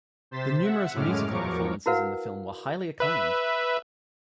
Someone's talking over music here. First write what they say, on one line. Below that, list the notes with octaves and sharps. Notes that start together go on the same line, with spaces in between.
The numerous musical performances in the film were highly acclaimed.
C3 C5 A6 B6 E7
E5 F#5
F#2 A2 G#3 C#4 D6 F6
E2 F3 F#3 A#4 C#6 D6
E4 F#4 A#4 B4 F5 F#5
B4 E5